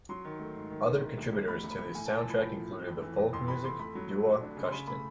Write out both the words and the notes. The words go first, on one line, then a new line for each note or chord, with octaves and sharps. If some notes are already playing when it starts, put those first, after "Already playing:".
Other contributors to the soundtrack included the folk music duo Kashtin.
F#3 C6
D#3
A3
G#2
D#3
D#3
D2
D2
D2
D2 B5
D2
B5
D2
A2 G#5
A5
A2
A5
F3 B5
A2
F3
A2
F2
E3
F2
F2 C6
F2 B5
F2 C6
A3 B5
F#3
A3
F#3
D4
C#3
C6
C#3 B5
A3 B5